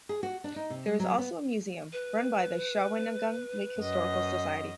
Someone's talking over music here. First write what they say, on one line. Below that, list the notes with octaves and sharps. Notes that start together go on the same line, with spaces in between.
There is also a museum, run by the Shawnigan Lake Historical Society.
G#4
F#4
D4
D#4
C3
G3
F#3
B3
B4
F#2 D#5